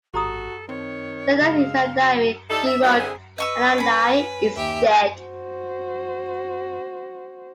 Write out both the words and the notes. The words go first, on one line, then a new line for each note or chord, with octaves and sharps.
That night in her diary, she wrote, Adlai is dead.
G#1 F#4 G4 A4 A#5 D#6
D#3 C4 C#5
C#3 G#3 F5
F#4
G3 D#4 E4 A4
E5
G#2 F#3 G3 A#3 C4 D#4
D3 C4 E4 G#4
B4 D#5 C#6 E6
C#4 B5
D#2 G4 E5
F#4 C5